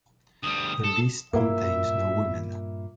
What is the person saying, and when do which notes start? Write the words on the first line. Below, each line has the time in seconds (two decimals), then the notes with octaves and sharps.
The list contains no women.
0.43 D2 G3 D#6
0.84 A4
1.33 G2 A#2 A#3 E4 E5